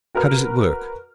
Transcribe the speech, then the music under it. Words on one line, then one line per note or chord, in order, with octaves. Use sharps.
"How does it work?"
F#4 A#4 B4 F6